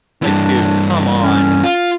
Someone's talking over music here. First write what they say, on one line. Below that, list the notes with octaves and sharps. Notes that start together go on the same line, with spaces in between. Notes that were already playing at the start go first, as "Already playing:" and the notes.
like, dude, come on,
G2 E3 D4
C#4
F4